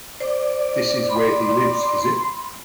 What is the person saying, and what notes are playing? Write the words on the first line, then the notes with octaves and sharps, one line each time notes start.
This is where he lives, is it?
C5 D5
B5 C6